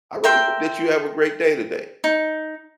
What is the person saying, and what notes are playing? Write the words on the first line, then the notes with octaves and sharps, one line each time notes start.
I really hope that you have a great day today.
A#4 E5 G5 C6
D#4